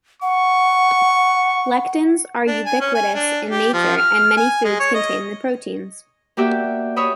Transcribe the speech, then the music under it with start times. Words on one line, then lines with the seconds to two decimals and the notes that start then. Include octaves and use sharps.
Lectins are ubiquitous in nature and many foods contain the proteins.
0.22 F#5 C#6
2.47 D4
2.65 G#5
2.81 C#4
2.94 G#5
3.15 D4
3.51 G4
3.73 F3
3.97 F6
4.37 G#5
4.64 G#3
4.80 C#5
4.94 D#5
6.37 A#3 F#4 G4 D5 E5 G5
6.96 C#5 D#5 E5 B5 D#6